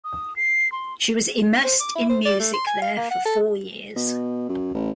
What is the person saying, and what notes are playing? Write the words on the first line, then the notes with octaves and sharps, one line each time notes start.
She was immersed in music there for four years.
D#6
C7
C6
C5
D6
E4
C5
D5
A3
C6
G#5
F5
A#3
F#5
A4
B2
F#2
A1